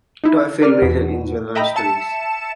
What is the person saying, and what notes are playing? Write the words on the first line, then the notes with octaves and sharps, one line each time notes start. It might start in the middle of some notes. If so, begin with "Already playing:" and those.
Toefield majored in general studies.
D#4 E4
A#4 D5 F6
E2 B2
D#5 E5 G5 A#5 B5
E5 A5 C#7 E7